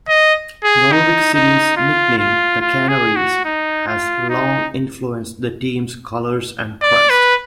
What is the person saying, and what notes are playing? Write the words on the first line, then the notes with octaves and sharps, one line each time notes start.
Norwich City's nickname, "The Canaries", has long influenced the team's colours and crest.
D#5
G#4
D#4
D#4
F4
F4
F4
G#4
F#4
D#4
F4
D#4
D5
B4